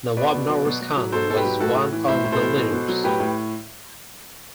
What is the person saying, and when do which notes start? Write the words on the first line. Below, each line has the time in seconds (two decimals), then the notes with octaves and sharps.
Nawab Nowroz Khan was one of the leaders.
0.17 B2 B4 D5
0.33 B2
0.49 F#3
0.65 B2
0.80 B2
0.96 F#3
1.12 B2 A4 C5
1.29 B2 A4
1.36 G4 B4
1.45 F#3
1.60 A2 F#4 A4
1.76 A2
1.92 E3
2.08 A2 C5 E5
2.25 A2
2.32 A4 C5
2.41 E3
2.56 B2
2.72 B2
2.88 F#3
3.04 A2 G4 B4
3.20 A2